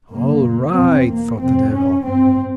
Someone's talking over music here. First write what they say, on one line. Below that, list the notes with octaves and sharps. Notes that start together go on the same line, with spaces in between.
"All right," thought the Devil.
F#2 C#3 A#3
E2 B2 C4
A#3
F2 C3 C4
C#4
G2 C4